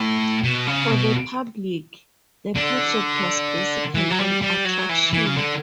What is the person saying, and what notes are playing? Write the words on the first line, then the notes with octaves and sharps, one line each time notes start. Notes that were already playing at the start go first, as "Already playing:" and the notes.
For the public, the project was basically an attraction.
Already playing: A2
B2
C#3
B2
D3
E3
F#3
G3
G3
F#3
E3
E3
C#3
D3